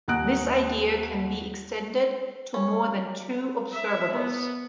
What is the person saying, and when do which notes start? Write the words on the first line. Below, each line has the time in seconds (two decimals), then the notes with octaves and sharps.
This idea can be extended to more than two observables.
0.08 D#2 F#5 A#5 D#6 F#6 D7
2.54 C#4
3.73 E5
4.12 B3